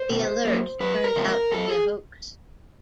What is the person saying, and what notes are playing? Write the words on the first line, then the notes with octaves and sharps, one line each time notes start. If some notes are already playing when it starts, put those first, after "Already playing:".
The alert turned out to be a hoax.
Already playing: C5
B2
F#3 A#3
F#2 B4
A#4
C#3 F3 G#3 C4
A#4
F#2 A4
G#4